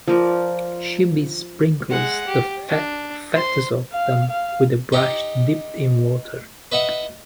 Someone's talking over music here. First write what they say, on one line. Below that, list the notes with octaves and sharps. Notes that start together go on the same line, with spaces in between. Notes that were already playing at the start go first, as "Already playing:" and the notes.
She besprinkles the fattest of them with a brush dipped in water.
F3 A#4 D5
G#3 F#5
G4
D4
C5 C6
F5
F5
D#4 G4 A#5
B4 D#5 E5 F#5